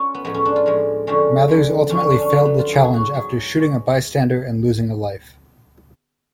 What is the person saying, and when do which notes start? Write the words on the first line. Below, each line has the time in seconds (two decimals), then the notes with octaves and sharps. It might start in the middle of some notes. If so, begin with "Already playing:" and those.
Mathers ultimately failed the challenge after shooting a bystander and losing a life.
Already playing: C#4 F4
0.15 B3
0.25 A2 F3 G#3 B3
0.34 C#4
0.45 D4
0.56 F4
0.66 A2 F3 G#3
1.07 F2 D3 F3 G#3 C#4
1.48 F2 D3 F3 G#3
1.89 F2 D3 F#3 C#4
2.00 C#4
2.10 D4
2.21 C#4
2.31 F2 D3 F#3 B3
2.45 B3
2.59 F4
2.72 G#2 F#3 G#4
2.84 G#4
2.94 F#4
3.13 G#2 F#3 G#4
3.55 B2 G#3